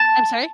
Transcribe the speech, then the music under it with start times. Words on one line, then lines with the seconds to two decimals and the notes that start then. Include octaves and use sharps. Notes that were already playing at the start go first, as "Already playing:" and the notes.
I'm sorry?
Already playing: A5